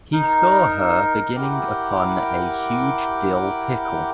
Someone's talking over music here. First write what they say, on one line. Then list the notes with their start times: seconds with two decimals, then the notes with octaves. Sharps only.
He saw her beginning upon a huge dill pickle.
0.12 D#4 A#4
1.36 E4 G4 A#4 F#5 G5 D6